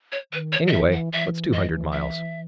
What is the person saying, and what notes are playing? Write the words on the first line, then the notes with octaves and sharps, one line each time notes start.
Anyway, what's two hundred miles!
C#5
D#3 B4
C#5
E3
D#5
E5
E3
F#5
E3 E5
D#5
E5